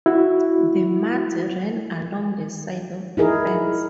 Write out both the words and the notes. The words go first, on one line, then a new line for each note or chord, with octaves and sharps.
The mutt ran along the inside of the fence.
E4 F#4
D#4 E4 G#4 A#4